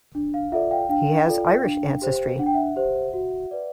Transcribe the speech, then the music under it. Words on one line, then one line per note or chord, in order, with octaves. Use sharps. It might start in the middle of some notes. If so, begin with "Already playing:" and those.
He has Irish ancestry.
D4
F5
F4 A4 D5 E5 F#5
F5 G5
D4 F5 G5
F4 A4 D5
D4
G4 C5
D4 F#5
G5
E5 F#5
G4 C5
F#4
B4 D5